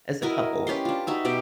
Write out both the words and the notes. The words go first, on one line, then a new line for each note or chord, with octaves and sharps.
as a couple.
E4 F#4 A#4 D#5
C#4 G4 B4 C6
D4 F4
D#4 F#4 E5
B2 G4 G5